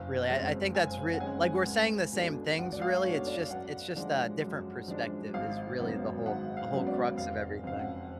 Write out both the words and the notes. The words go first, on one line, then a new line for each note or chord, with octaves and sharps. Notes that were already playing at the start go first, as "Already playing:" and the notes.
really. I I think that's real like, we're saying the same things, really, it's just it's just a different perspective is really the whole the whole crux of everything.
Already playing: F#1 F5
F2 C#3 G#3 C#4
F#1 G#5
F#5
F2 C#3 G#3 C#4 G#5
C#2
B2 A3 D4
C#2 F#5
D5
F5
B2 A3 D4 C#5
D5
F#2 F#5
F3 G#3 D4
F#2
F3 G#3 D4
G#1 F5
F#2 C#3 F#3 B3
G#1 F#5
F5
F#2 C#3 F#3 B3
D5
F1 F5
F2 C#3 F5
F#5